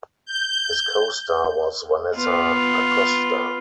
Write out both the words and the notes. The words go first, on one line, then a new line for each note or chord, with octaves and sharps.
His co star was Vanessa Acosta.
G6
B3 F4